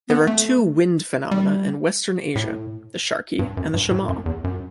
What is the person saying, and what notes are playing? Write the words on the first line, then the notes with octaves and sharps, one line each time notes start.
There are two wind phenomena in Western Asia: the "sharqi" and the "shamal".
B3
A3
G3
A2
G2
F#2
G2
A2
F#2
E2
F#2